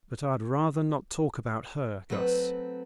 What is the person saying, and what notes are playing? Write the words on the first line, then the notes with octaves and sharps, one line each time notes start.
But I'd rather not talk about her, Guss.
F#3 A3 C4 B4